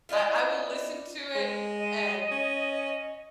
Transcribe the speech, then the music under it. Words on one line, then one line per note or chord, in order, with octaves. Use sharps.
I I will listen to it and,
E4 F4 D5 D#5
G#3
D#5
C#4